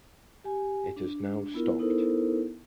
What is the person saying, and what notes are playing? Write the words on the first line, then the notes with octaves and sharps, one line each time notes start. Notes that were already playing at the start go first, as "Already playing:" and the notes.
It has now stopped.
G4 G#5
D4
B3 E4 F4 A#4
B3 D#4 E4 A4 A#4 C5